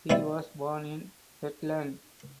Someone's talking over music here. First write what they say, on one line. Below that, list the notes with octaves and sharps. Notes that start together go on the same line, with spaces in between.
He was born in Hetland.
B2 F3 G3 E4